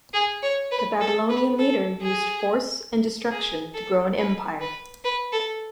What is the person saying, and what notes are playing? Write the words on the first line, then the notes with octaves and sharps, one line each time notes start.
The Babylonian leader used force and destruction to grow an empire.
G#4
C#5
B4
A4
B4
A4
G#4
G#4
A4
B4
B4
B4
A4